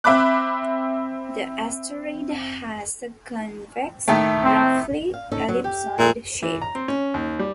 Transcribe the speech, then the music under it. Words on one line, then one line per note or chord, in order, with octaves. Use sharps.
The asteroid has a convex, roughly ellipsoid shape.
C4 E5 B5 D6 F#6
A2 D#3 A3
C4
F5
C#4 D#4 A4
F#3
G4
F2 A#2 E5
E3
A#5
C4
C#4
D#2
G3